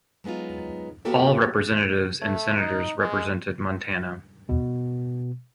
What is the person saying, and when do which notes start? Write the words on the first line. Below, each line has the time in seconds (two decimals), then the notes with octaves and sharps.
All representatives and senators represented Montana.
0.24 F#3 G#3 B3 D#4 F4
1.05 A#3 B3 F#4 G4 A4 C#5
2.21 A3
2.58 D#4
2.99 G#3
4.49 B2